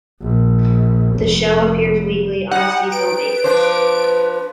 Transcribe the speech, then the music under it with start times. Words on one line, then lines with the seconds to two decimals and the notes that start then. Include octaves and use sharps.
The show appears weekly on a seasonal basis.
0.22 A#1
1.16 F1
2.51 G3 D#4 F#5
2.92 B4 D7
3.44 F3 D4 C5
3.76 B4